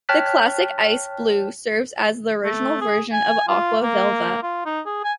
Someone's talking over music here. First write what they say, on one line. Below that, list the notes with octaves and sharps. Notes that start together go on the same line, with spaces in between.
The classic ice blue serves as the original version of Aqua Velva.
C#5 G5 A5 F6 F#6 B6
A3
G#4
G#5
F4
A#3
F4
D#4
G#4
G#5